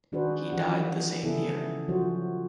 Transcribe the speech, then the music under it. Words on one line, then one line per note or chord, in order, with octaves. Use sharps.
He died the same year.
D#3 D4 F#4 G#4 B4 C5
E3 F3 C#4 G4 G#4 F#5
C#3 B3 E4 G#4 A4
F3 F#3 F#4 C5 C#5